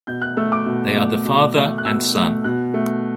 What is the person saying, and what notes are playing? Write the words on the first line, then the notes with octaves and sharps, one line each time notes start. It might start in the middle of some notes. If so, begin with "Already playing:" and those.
They are the Father and Son.
B2 G6
F#6
A3 E6
D6
B2
A3
B2
A3
F#6
B2 E6
A3
B2 F#6
A3